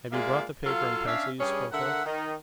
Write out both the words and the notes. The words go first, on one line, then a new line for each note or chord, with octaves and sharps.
Have you brought the paper and pencil you spoke of?
G#3 A#3 F4 D5 E5 F5
F#3 F4 A4 F5
C#4 D4 E5 F5
G2 G3 C#4 G#4
D3 A#4 E5 F#5
D#3 D#4